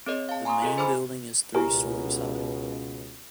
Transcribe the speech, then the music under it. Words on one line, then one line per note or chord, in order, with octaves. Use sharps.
The main building is three stories high.
C4 G#4 A#4 C#5 D#5
F5 A5
G#5 A#5 C6 C#6 D#6
F4 G#4 A4 D#5
G#4 C5 G#5 B5 D6 F6
C#2 B2 E4 G4 A#4 G#5